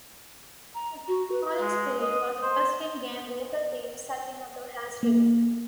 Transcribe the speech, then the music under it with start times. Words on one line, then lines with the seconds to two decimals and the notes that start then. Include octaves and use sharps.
"Holy Spirit" was the first in-game vocal theme Sakimoto has written.
0.74 A#5
1.08 F#4
1.31 B4
1.60 G#3
2.01 D#5
2.42 C5
5.03 A#3